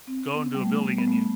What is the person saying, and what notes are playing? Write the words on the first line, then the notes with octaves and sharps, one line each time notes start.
go into a building and you
C4
B3
G3
A3
G3
B3
A3